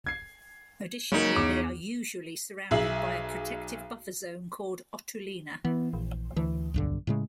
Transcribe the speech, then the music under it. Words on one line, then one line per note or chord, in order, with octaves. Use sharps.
Additionally, they are usually surrounded by a protective buffer zone called "otulina".
G#6 C7
C#3 F#3 G#3 A#3 D#4
E2 D6
B1 G#4 E5 C7 F#7
E3 B3
A#1
D2 E3
B1 G2 D3
A2 C#3 G#3